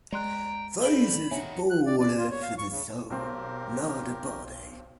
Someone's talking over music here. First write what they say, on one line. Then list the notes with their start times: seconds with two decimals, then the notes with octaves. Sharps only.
Faith is born of the soul, not the body.
0.12 G#3 D5 G5 A#5 C6 F#6
0.82 G3 A3 B5 D7 F#7 G7
1.31 D#3 F#4 C#5 E5 G#5
1.70 F#6
1.86 D5
2.00 D5
2.18 F4
2.31 C#5
2.42 F5
2.58 C#6
2.70 C#3
3.10 B1 C4 G4 A#4